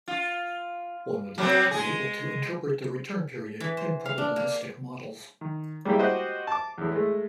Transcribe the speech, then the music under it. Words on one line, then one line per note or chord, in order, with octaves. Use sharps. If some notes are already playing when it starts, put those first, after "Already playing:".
One would like to be able to interpret the return period in probabilistic models.
F4
F#3 B3 C4
G#3 G#4
E3
C5
F5
D4
A#3
D#3
G3 G#3 A#3 E4 G4
F#4 G4 C5 D#5
A5 D6
E2 A2
G#3 A3